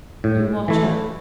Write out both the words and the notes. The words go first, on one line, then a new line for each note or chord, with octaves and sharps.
You watch her.
A2
E3 A3 E4